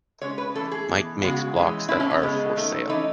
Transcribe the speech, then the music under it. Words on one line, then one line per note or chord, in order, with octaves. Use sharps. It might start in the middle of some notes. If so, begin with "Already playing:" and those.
Mike makes blocks that are for sale.
C#3 G#3 C#4 C#5
B4
E3 A3 C#4 A4
G#4
E3 B3
C#3 G#3 B3 F#4
E3 G#3 C#4
A2 F#3 A3 C#4 E4
C#4
C#4
C#3 G#3 B3
D#3 A3 C#4
E3 A3 C#4 D#4